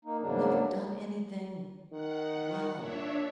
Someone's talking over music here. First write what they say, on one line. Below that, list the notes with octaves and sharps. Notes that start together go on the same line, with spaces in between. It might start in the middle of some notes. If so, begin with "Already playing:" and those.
Never done anything--WELL....
A#3 D#4
E2 G#2 C#3 F#3 A#3 D4
D#3 F#5
A#2 D4 C#5 E5